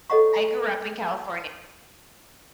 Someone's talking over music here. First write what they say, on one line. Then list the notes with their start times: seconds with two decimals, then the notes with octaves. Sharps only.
I grew up in California.
0.10 A4 C#5 D#5 F#5 A#5 C#6